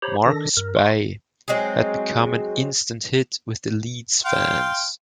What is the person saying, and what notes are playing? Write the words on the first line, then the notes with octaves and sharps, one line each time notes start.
Marcus Bai had become an instant hit with the Leeds fans.
G4 C5 C#5 A#5 B5
D#3 D4 A4 A#6
G2 A#4
C6 C#6
F#3 G#3 C4 G#4
F5 G5 C6